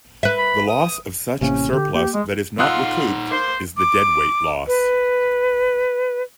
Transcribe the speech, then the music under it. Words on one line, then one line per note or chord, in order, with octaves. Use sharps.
The loss of such surplus that is not recouped, is the deadweight loss.
B4 E5
B5
D#6
A1 C3 A#3 C#4
D3 G4
A#3 G4
G#3
D#4 F4 F#5 D#6 E6 F#6
A#3 C5
D6
B4